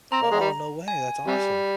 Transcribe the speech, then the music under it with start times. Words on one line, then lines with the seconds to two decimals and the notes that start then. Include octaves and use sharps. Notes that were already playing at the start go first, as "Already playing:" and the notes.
Oh, no way. That's awesome.
0.12 C4 A#5
0.22 A#3
0.31 G#3
0.41 G3
0.88 G#5
1.27 C3 G3